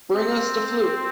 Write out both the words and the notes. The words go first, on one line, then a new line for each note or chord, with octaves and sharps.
Bring us the flute!
C4